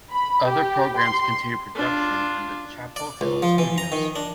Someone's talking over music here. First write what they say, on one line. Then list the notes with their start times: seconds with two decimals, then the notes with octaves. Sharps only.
Other programs continue production in the Chapel Hill studios.
0.11 B5
0.45 G4
0.97 C6
1.75 D4 F4
2.96 D5
3.21 C#2
3.42 F3
3.58 E3
3.78 A#5
3.92 D#3
4.16 D4